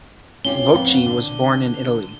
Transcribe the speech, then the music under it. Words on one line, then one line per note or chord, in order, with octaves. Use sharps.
Voci was born in Italy.
C#4 F4 G4 G7
F2 B3
D3